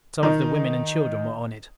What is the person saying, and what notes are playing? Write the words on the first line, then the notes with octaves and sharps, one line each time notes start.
Some of the women and children were on it.
D#3 D#4